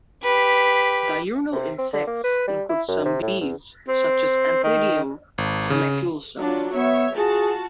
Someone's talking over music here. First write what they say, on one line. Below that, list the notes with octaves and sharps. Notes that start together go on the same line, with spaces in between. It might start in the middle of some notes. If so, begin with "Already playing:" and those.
Diurnal insects include some bees, such as Anthidium maculosum.
G4 B4
C3
C4
D3
A#3
B4
G3
E4
F#2
C3
A2
E2
C4
D#3
G#1
C#3
F#3 D4 F4
B3 C#5 E5
F4 F#4 G#4 A5